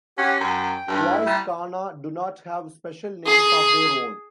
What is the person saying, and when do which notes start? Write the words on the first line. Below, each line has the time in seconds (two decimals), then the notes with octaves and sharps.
Voiced kana do not have special names of their own.
0.18 C#4 G4 C#5 F#5
0.40 F#2 G5
0.88 G2
1.10 E4
1.26 G3
3.26 G#4